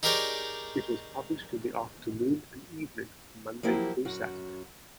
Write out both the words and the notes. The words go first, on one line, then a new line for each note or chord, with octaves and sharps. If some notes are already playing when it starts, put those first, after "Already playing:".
It was published in the afternoon and evening Monday through Saturday.
D#4 G4 G#4 A#4 C#5 D5
F3 F#3 A#3 E4 G4
F#2 F#4